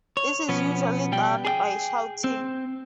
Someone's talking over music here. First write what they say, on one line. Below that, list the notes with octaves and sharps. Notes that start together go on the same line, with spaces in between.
This is usually done by shouting.
C#5
B2 F3 B3 C#4
B2 G3 D5 G5
G#4 D5 G5
C4